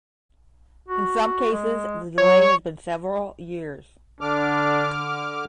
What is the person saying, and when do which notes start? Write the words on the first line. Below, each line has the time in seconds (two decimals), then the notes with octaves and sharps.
In some cases, the delay has been several years.
0.88 F#4
1.52 G#3
2.18 F#3 C#5
4.21 D3 D4 D6 F6